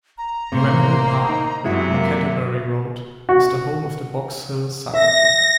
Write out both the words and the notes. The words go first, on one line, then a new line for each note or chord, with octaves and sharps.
Wembley Park, on Canterbury Road, is the home of the Box Hill Soccer Club.
A#5
A2 C3 A#3 C5
D#4
F#2 C3 G#3 E4 F#4 E5
A#3
F#4
E5 A#6